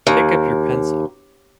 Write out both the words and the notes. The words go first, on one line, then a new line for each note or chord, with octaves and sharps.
Pick up your pencil.
D#2